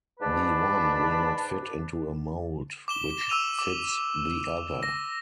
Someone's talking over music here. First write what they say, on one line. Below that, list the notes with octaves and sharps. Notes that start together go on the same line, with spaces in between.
The one will not fit into a mould which fits the other.
G#2 D4 B4 A5 B5
D6 E7 G7
D6 E6 D#7 F7
D6
A#6